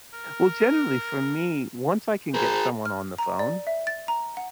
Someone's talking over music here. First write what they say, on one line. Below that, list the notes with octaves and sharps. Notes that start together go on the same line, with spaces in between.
Well, generally, for me, once I can get someone on the phone,
A#4
G#4 A#4 C5
F6
A#5
D5
E5
A6
A#5
F#5